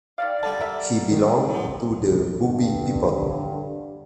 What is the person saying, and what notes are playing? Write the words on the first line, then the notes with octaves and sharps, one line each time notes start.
He belonged to the Bubi people.
D#3 G3 D5 F5
D3 G3 G4 A5
A#4 E5
D#3
F#2 A2 F3
G2 D3